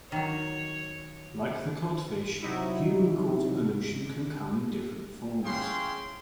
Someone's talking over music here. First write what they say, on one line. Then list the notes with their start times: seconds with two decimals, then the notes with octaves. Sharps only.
Like the codfish, human-caused pollution can come in different forms.
0.12 D#3 F#3 C#5
2.42 C3 F#3 D#4 E4
5.44 E3 C#4 G#4 F5 G5 C6